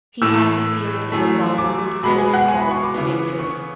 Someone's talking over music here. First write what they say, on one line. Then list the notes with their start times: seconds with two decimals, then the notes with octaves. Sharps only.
He has appeared in a Bollywood film called Victory.
0.22 A2 E3 A3 E6
1.12 F#2 E3 A3
1.58 D6
2.03 B2 G#3 B3 B5
2.18 G#5
2.34 F#5
2.48 G#5
2.60 B5
2.71 C#6
2.83 D6
2.94 C#3 E3 B3
3.39 C#6